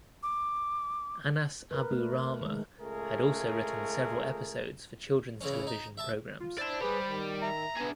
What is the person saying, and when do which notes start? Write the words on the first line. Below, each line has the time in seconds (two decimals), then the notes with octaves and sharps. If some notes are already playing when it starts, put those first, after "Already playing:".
Anas Abu Rahma had also written several episodes for children’s television programs.
0.23 D6
1.71 A#4 B4
1.91 A3
2.41 D#3 G#3
2.81 C#2 A3 G#4 A#4
5.41 C#3 E3 C#4
5.67 D#4
5.98 E5 A5
6.40 F4
6.58 E4 C5 D5 A5
6.80 G3 G4 G#4 B4 B5
7.06 D#3
7.42 E5 A#5
7.76 B3 D4 G#4 E5